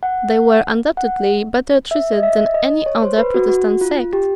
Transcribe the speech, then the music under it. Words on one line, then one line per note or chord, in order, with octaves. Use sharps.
They were undoubtedly better treated than any other Protestant sect.
F#5
F#5
E5
D#5
E5
D#5
C#5
C5
B4
F#4
F#4
F4
G4